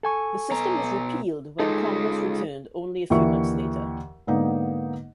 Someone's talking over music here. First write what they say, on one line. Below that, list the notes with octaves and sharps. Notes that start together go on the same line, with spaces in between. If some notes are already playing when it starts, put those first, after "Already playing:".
The system was repealed when Congress returned only a few months later.
A4 G#5 C#6
B2 A#5
G#3 D#4 F4 G#4 A4
D#2 D3 E3 A#4 E5 C#6
G#2 D3 A#3 B3 D#4